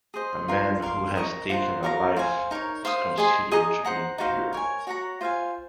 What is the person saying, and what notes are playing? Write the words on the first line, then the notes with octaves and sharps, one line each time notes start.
A man who has taken a life is considered to be impure.
G#4 C5 D#5
F4 A#4 F5 C6
A#4 F5 C6
A#4 D#5 A#5 C#6
F4 C5 F#5 A#5
F#4 A#4 F5 A#5
C5 F5 G#5
D#4 A#4 C#5
C5 F5 C6 D#6
G#4 D#5 G#5 C6
G#4 D#5 A#5 D#6
C5 F#5 A#5
D#4 F#4 C5 F5
A#4 C#5 G#5
F#4 C#5 F#5 A#5
F4 C5 F5 G#5